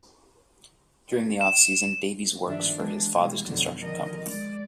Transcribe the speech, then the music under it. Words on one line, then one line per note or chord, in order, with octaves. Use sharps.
During the offseason, Davies works for his father's construction company.
E7
G2 D#3 F3 D4 E5
E3 F#3 G#3 B3 D4
B2 E3 G3 G#3
F2 B2 D3 D#3 F3 F#3
D3 D#3 F3 A#4 D#5
G#3 D5